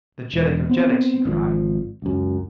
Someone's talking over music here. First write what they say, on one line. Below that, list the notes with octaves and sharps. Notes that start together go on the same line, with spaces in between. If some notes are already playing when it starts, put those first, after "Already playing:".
"The Jeddak of Jeddaks!" he cried.
E1
B3 C4
G#1 D3 F3
C#2 F#2